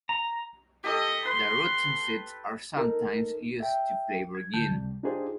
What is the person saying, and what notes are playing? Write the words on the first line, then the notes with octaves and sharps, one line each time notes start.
The roots and seeds are sometimes used to flavor gin.
A#5
G4 A4 D#5
B4 C6
D#4 A4 A#4
E5 G5
G#6
D#2 D3 A5 G6
C#2 C3 G3
D4 D#4 F4 G4 G#4 C5